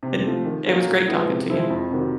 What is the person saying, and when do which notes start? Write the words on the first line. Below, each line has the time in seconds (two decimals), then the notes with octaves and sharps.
And it was great talking to you.
0.03 C3
0.24 F3 A3
0.45 D#3
0.66 F#3 A#3 C#4
0.87 A#2
1.08 F3 G#3 B3 E4
1.29 C3
1.50 F3 G#3 C4 E4
1.70 F2
1.91 C3 D#3 F#3